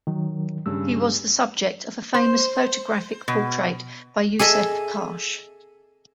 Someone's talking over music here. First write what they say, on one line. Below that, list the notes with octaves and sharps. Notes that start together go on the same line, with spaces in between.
He was the subject of a famous photographic portrait by Yousuf Karsh.
D#3 F#3
G2 C#3 E6
C5
B2
G#4 A4 D#5 E5